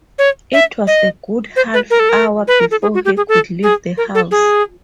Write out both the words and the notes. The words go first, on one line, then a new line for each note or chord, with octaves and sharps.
It was a good half-hour before he could leave the House.
C#5
E5
D#5
C5
B4
A#4
A4
A#4
B4
A#4
A4
G#4
F#4
G4
G#4
A4
G#4
A#4
A4
G#4